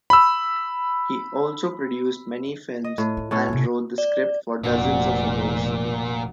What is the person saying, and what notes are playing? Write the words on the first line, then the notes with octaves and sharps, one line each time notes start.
He also produced many films and wrote the scripts for dozens of others.
B5 E6
D#5
A2
F4
A2 C#4 A4
C3 F3
D5
F1 A#2 D4 F#4